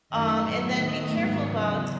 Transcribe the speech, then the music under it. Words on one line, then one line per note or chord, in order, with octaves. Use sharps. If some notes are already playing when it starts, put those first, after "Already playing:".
um, and then be careful about
F#2 D#3 A3 D#5
A2 F#3 B3 E5
D#2 D#3 A3 D#5
G#2 D#3 F#3 B3 C#5
E2 C#3 F#3